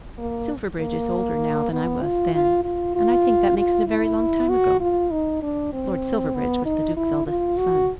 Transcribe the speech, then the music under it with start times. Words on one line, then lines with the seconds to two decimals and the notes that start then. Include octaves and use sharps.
"Silverbridge is older now than I was then, and I think that makes it a very long time ago." Lord Silverbridge was the Duke's eldest son.
0.18 A#3
0.79 A#3
1.72 B3
2.03 F4
2.34 F4
2.64 F4
2.95 F4
3.57 F4
3.88 E4
4.49 F#4
4.81 F4
5.11 D#4
5.42 D4
5.73 C4
6.35 B3
6.65 D#4
6.96 E4
7.27 F4
7.58 F#4